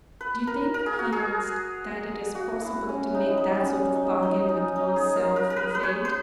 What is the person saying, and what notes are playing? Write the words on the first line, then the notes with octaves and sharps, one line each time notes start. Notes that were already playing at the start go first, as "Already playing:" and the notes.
"Do you think," he asked, "that it is possible to make that sort of bargain with one's self and fate?"
B4
A#4
A#4
G#4
F#4
G#4
F#4
E4
C#4
D#4
E4
D#4
C#4
D#4
D#4
C#4
D#4
G#4
A#4
A#4
A#4
B4
B4
C#5
B4